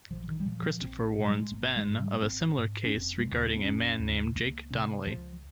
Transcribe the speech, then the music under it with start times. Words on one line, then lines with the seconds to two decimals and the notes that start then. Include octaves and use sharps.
Christopher warns Ben of a similar case regarding a man named Jake Donnelly.
0.10 A#1 F3
0.28 D#3
0.40 G3
0.45 A#2 F3
0.63 F3
0.81 A#1 C4
1.17 A#2
1.28 G3
1.40 G#3
1.51 G#1 A#3
1.76 G#3
1.88 G#2
2.00 G3
2.22 G#1 C4
2.58 G#2
2.85 C#4
2.94 F1 C4
3.18 G#3
3.29 D#2 C#3
3.47 A#3
3.56 C4
3.64 F1 C#4
4.00 D#2 C#3
4.36 C#2 A#3
4.71 C3 C4
5.06 C#2 F3